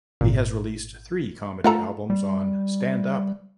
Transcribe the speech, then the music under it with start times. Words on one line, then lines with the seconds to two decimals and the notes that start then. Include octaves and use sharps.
He has released three comedy albums on Stand Up!
0.21 G#1 A#2
1.64 F3 A3 F4 A4 F#5 A#5
2.10 G3